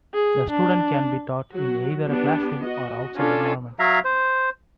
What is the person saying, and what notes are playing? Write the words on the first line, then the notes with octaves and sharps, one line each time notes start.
The student can be taught in either a classroom or outside environment.
G#4
D4
F#3 F#4
B3 D4 G4
F#4 D#5
C#4 D4 F4 A4
F#3 E5 F5 A#5
C5